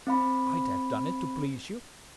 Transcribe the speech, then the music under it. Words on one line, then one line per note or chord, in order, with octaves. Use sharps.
"I'd have done it to please you."
C4 F5 B5